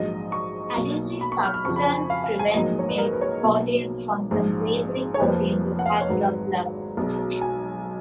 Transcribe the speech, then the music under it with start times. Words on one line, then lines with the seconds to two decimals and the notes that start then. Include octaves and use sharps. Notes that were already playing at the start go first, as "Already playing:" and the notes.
Adding this substance prevents milk proteins from completely coating the fat droplets.
Already playing: A#1 G#2 F#3 D#5
0.32 C#6
0.76 B1 B2 A#3
1.21 B5
1.32 C#6
1.43 F6
1.54 F6
1.65 F2 C#3 F3 C#6
1.76 B5
1.88 G#5
2.10 F5
2.24 F5
2.39 G#5
2.54 A#1 G#2 F#3 A#3 D#5
2.79 C#5
2.89 B4
2.98 A#4
3.13 B4
3.21 C#5
3.27 B4
3.43 B1 B2 A#3
4.31 A#1 G#2 F3
5.14 C#5
5.20 F1 F2 F3 A#3 B4
5.79 F#5
5.86 F5
5.93 D#5
6.01 C#5
6.09 G#1 G#2 F#3 B4
6.97 B1 B2 G#3
7.41 G#5